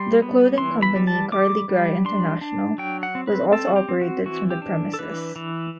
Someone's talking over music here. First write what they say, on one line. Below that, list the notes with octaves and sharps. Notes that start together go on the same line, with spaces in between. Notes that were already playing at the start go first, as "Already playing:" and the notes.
Their clothing company Carly Gry International was also operated from the premises.
Already playing: G3 C6
B3
E3 C6
B5
G3
A5
G3 D6
G3
D4 C6
D4
F#3 G5
F#5
C4
B4
C4 A4
F#4
G4
C4
F#4
E3 F#4
G4
D4
A4
E3 B4
E3